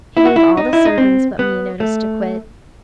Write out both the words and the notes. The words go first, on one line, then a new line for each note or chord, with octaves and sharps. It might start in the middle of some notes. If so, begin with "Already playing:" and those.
He gave all the servants but me, notice to quit.
E4
F#4
E4
D#4
E4
D#4
C4
B3
A3